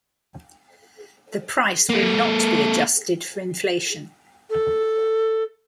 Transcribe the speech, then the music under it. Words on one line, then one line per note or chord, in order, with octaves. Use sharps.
The price will not be adjusted for inflation.
A#3 A4
A4